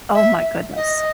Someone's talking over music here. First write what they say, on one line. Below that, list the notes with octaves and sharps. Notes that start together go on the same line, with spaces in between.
Oh my goodness.
E5
D#5